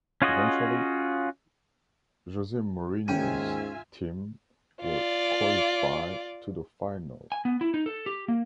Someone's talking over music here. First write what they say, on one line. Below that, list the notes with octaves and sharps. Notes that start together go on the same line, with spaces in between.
Eventually Jose Mourinho's team will qualify to the final.
C#4 F4 F#4 G#4 D#5
D#2 G#2 C#4 F4 E5 G5 G#5 D#7
F4 D5
G#5
B3
E4
D#4
A4
G4
A#3